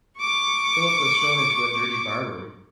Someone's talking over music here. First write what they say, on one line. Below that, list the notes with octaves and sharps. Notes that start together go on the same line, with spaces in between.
Philip was shown into a dirty bar-room.
C#6 D6